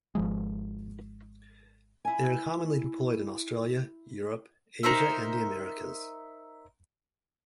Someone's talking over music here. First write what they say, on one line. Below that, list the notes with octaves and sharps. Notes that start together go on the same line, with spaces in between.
They are commonly deployed in Australia, Europe, Asia and the Americas.
G#1 F3 G#3
E4 G#5
D#4 A#4 C5 E5